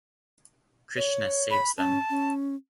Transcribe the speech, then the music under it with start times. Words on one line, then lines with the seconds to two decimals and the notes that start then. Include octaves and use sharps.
Krishna saves them.
0.97 C#5
1.51 B5
1.78 C#4 A5
2.10 C#4